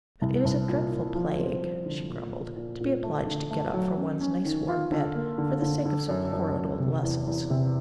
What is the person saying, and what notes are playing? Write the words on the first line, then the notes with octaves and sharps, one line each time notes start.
"But it is a dreadful plague," she grumbled, "to be obliged to get up from one's nice warm bed, for the sake of some horrid old lessons!"
C2
C2
A#2
A#2
F3
C4
F3
D3
A#2
A#2
A#2
A#2
A3
D3
A3
F#3
C#4
C#4
D#3
F4
D3
A#3
D3
D3
D3
F#2
F#2
F#2
C3
E2
E2
C3